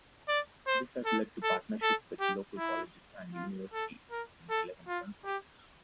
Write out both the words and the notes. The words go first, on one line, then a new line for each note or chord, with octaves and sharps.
This has led to partnership with local colleges and universities in eleven countries.
D5
C5
A4
A4
A4
G4
E4
F4
A4
A#4
A4
F4
G4